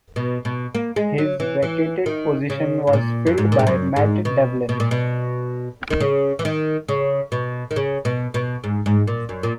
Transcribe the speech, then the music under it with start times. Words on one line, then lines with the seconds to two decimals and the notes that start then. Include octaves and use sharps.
His vacated position was filled by Matt Devlin.
0.16 B2
0.45 B2
0.75 A#3
0.96 G#3
1.18 F#3
1.40 E3
1.62 E3
2.06 D#3
2.50 C#3
2.87 G#2
2.93 A#2
3.27 F#2
3.38 G#2
3.52 A#2
3.59 G#2
3.67 F#2
3.96 G#2
4.25 B2
4.69 B2
4.80 A#2
4.91 B2
5.90 D#3
6.00 C#3
6.39 E3
6.45 D#3
6.89 C#3
7.32 B2
7.71 D#3
7.76 C#3
8.05 B2
8.34 B2
8.64 G#2
8.86 G#2
9.07 A#2
9.29 F#2
9.43 A#2